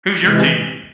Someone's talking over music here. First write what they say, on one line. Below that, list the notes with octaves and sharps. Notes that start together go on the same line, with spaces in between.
Who's your team?
C3 E3 G#3